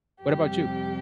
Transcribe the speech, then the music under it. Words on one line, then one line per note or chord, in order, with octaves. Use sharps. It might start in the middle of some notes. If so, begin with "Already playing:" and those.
What about you?
F2 C3 G3 G4